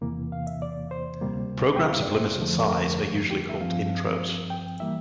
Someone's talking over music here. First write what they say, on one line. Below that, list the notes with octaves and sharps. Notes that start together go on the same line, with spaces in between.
Programs of limited size are usually called intros.
E2 C3 E3 A#3
F5
E5
D5
C5
D2 C3 G3 A#3
G5
F5
E5
D5
C5
F2 D3 F3 A3
A4
A#4
G4
E5
G2 F3 C4 F5
G5
E3 G3 A#3 E5